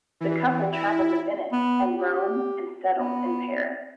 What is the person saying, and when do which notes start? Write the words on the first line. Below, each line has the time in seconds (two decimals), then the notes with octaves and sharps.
The couple traveled to Venice and Rome and settled in Paris.
0.20 E3
0.72 E4
1.52 B3
1.96 G4
2.98 B3